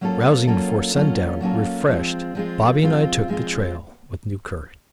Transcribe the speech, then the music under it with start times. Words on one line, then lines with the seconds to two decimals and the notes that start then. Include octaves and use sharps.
Rousing before sundown, refreshed, Bobby and I took the trail with new courage.
0.01 F#3 A#3 C#4 F4 A4
0.47 F#3 A#3 C#4 F4 A4
0.95 F#3 A#3 C#4 F4 A4
1.41 F#3 A#3 C#4 F4 A4
1.87 F3 G#3 C4 F4
2.35 F3 G#3 C4 F4
2.82 F3 G#3 C4 F4
3.28 F3 G#3 C4 F4